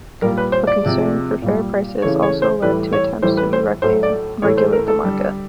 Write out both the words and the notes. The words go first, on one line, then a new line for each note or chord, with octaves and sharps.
But concern for fair prices also led to attempts to directly regulate the market.
A#2 G3 A#4
B4
C5
D5
C3 F3 G#3
A#2 G3
C#3 E3 A3 C#5
C#5
C5
A2 E3 G3 B4
C#5
A2 E3 G3 C5
B4
C5
A2 F#3 A3 C5
D5
A2 E3 A3 C#5
C5
A#4
A4
D3 G3